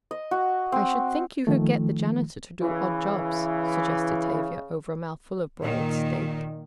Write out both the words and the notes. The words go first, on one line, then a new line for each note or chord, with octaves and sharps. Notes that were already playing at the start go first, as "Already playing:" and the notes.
"I should think you could get the janitor to do odd jobs," suggested Tavia, over a mouthful of broiled steak.
D#5
F#4
C4
D#3 F3 A3
C#3 E3
A#2 D#3